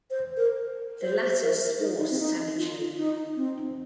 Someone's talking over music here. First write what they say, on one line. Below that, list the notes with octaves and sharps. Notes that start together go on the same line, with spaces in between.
The latter swore savagely.
C5
A#4
C5
C5
A#4
A#4
D#4
D#4
C4
D#4
F4
D#4
C4